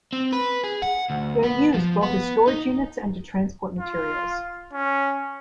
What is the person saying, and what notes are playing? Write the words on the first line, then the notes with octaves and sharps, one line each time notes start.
They are used both as storage units and to transport materials.
C4
B4
G#4
F#5
D2
B3
F3
B3
D#4
F4
C#4